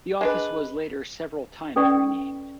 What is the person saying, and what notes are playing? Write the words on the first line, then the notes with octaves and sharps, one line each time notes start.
The office was later several times renamed.
G#3 D4 B4
C#4 A4 B4 D5 G5 C#6